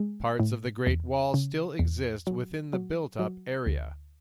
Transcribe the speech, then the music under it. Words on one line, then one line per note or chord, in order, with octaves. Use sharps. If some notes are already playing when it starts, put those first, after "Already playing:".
Parts of the Great Wall still exist within the built-up area.
Already playing: G#3
A2
E2
C#3
E2
F#3
F#3
F#3
D2